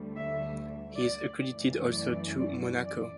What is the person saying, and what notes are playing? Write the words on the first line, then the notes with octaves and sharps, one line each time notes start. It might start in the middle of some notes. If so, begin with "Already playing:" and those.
He is accredited also to Monaco.
Already playing: D2 D3 G3
E5
D5
F#2 E3 A3
D5
D5
D5